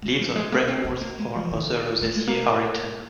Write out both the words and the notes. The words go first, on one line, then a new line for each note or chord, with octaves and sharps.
Leaves of bramble or other Rosaceae are eaten.
G#3
F3
G#3
A#3
C4
C4
A#3
G#3
F3
D#3
A#3
G#3
A#3